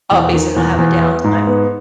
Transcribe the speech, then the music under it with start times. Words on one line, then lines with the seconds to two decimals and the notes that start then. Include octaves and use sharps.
Oh, basically I'll have a downtime.
0.11 E2
0.34 D#3
0.56 E2
0.78 E2
1.01 B3
1.24 G#2
1.47 B3